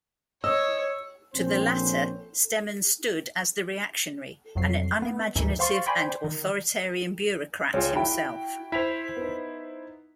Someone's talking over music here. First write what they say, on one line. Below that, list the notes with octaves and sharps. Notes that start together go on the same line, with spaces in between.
To the latter Stemann stood as the reactionary, an unimaginative and authoritarian bureaucrat himself.
C#5 D#5 E6
A#1 C4 C#4 C5
C2 F2 F#3 C7
B3
D2 G#2 E3 D#4
C5 F5 C6 C#6 A6
C5 D5 G5 G#5 B5 C6
D#3
C#2 F4 G#4 C#5
E4 F#4 G5 B5
E4 C5 B6 F7
B3 D#4